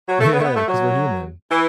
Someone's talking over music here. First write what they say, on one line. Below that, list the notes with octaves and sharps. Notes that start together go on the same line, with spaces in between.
Yeah, 'cause we're human.
F#3
A3
B3
A3
B3
A3
F#3
E3